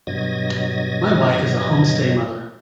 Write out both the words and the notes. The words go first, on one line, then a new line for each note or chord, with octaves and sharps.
My wife is a home-stay mother.
G2 B2 F#3 D#5 G#6 A#6